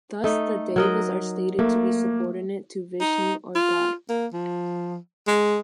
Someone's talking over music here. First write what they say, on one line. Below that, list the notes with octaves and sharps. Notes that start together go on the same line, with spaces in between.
Thus the Devas are stated to be subordinate to Vishnu, or God.
A3 D#4
F#3 A#4 D#5
A3 A#3
D#4
F4
A#3
F3
G#3